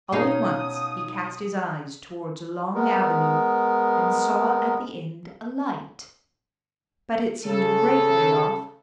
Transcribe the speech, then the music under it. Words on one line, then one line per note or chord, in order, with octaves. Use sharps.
All at once, he cast his eyes towards a long avenue, and saw at the end a light, but it seemed a great way off.
B2 C#4 D#4 C#5 F5 D#6
G#3 B3 A#4
C#3 A4